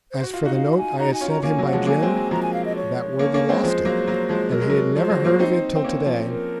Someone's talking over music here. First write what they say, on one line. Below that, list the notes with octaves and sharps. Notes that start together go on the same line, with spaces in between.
As for the note I had sent him by Jim, that worthy lost it, and he had never heard of it till to-day.
C5
F#4
F4
D#4 F#4 F5
F5
G#5
D#4 F#4 A#5
G#5
C#4 F4
A#5
A#3 C#4 G#5
F#3
F#5
F3 G#3
F#3 A#3 G#5
G#3 C4
F#3
F3 G#3 A#5
G#5
F5
D#5
C#5
A#3 C#4
A#3 C#4
G#3 C4
F3 G#3 C5
F#3 A#3
F#3 A#3
F3 G#3
F#3 A#4
G#3
F#3
F3 C5
F#3
F#3 A#3
C4 D#4
C4
A#3 C#4
F3
A#4